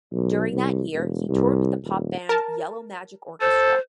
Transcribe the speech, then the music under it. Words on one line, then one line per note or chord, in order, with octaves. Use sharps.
During that year, he toured with the pop band Yellow Magic Orchestra.
B1
C2
E1
C2
D#1
A#4 A5
A4 C5